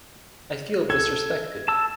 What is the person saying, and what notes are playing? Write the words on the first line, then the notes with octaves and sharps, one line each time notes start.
I feel disrespected.
A4 G#6
A5 E6